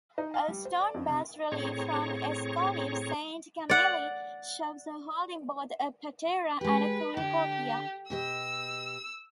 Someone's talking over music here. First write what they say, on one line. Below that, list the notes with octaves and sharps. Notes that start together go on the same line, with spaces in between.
A stone bas-relief from Escolives-Sainte-Camille shows her holding both a patera and a cornucopia.
D#4
F5
G3
C5
D5
F2
C3
A2 C4 G#4 C#5 A#5 C#6
D5 F#5
G#3 G4 B4
D3 G4
B2 G4 D#5 E6